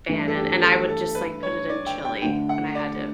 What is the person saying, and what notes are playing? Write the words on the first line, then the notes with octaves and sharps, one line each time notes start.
fan, and and I would just, like, put it in chili when I had to
G2 E3 A3
A4
G4
A4
A4
B4
C#5
D5
G5
G5
D2 D3 A3 D4 G5
F#5
D5